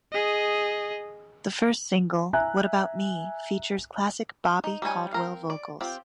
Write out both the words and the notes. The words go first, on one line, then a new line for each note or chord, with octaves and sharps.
The first single, "What About Me" features classic Bobby Caldwell vocals.
G#4 D#5
E5 G#5 A#5 F#6
D#4
G3 D#4 C#5 G#5
C4 A#4 F5
D5
C4 F4 G4